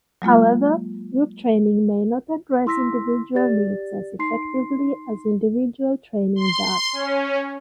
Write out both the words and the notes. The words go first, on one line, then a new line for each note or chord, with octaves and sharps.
However, group training may not address individual needs as effectively as individual training does.
F#3 G#3 A#3 F4
E4 C6 E6 A#6 B6
G4 D5 A6
D#4 C6 C7
C6
C#4